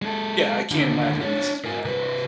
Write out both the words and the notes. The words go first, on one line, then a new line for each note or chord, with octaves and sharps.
yeah, I can't imagine this is gonna end well.
G#3 A4
D#2 D3
C#4 D4
A#4 G#5
C3 B4